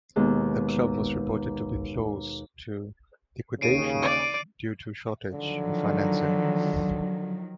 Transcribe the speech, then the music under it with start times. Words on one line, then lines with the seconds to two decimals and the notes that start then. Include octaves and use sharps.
The club was reported to be close to liquidation due to shortage of financing.
0.16 D#2 B2 G#3
3.61 D#2 C#3 C7 D7 D#7
4.02 D5
5.32 D3 D#3 F3 F#3